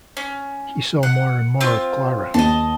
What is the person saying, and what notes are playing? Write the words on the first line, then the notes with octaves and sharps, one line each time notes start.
He saw more and more of Clara.
C#4
F#5
C4 F4
D#2 D#5 A5